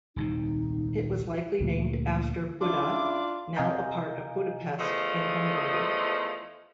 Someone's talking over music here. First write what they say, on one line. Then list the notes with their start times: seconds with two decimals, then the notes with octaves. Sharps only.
It was likely named after Buda, now a part of Budapest, in Hungary.
0.16 D#1 C2 C3 D#4
1.60 D2 A#2
2.61 C#2 D4 E4 F4 D6
3.56 C3 D#5 F5 G#5 A#5 G6
4.78 E2 F3 A3 D#5